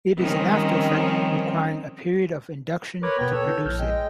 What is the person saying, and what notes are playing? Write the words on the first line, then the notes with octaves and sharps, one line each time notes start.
It is an aftereffect requiring a period of induction to produce it.
D#3 F3 G3 C4 C#4
A#4 B4 C#5 C6 D6 G#6
B2 B3 G5 G#6
A4 B4 C#5
E4 G6
A#1 F6 G6
G#3 G5